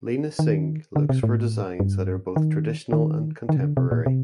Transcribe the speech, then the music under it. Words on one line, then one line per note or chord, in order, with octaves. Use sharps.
Leena Singh looks for designs that are both traditional and contemporary.
D#3
D3
C3
A2
G2
D#3
D#3
D#3
C3
D3
C3
A#2
C3